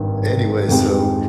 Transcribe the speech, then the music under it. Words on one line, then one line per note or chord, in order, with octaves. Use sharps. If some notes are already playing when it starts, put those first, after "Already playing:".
anyway, so,
Already playing: G#1 G2 G3
F2 D#3 G#3 C4 G4